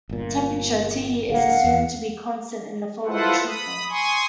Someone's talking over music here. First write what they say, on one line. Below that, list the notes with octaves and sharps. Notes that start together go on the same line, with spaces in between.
Temperature, "T", is assumed to be constant in the following treatment.
G1 A#2
D1 D2 A#3 F5 F#5
E2
E4 F4 A4 B4 C5 F#5
B5 D#6
G#5 C6 C#6 D#6